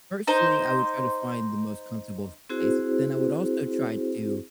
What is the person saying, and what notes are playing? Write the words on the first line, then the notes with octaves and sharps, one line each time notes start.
firstly, I would try to find the most comfortable place, but then I would also try to,
D#4 C5
C4 E4 F#4 G#4 C5